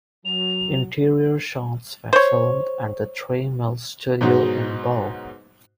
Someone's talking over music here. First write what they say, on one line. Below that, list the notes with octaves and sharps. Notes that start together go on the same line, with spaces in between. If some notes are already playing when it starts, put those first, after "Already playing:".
Interior shots were filmed at the Three Mills Studios in Bow.
F#3 F7
C5 C#5
G#2 B2 F#3 G#3 D#4 F#4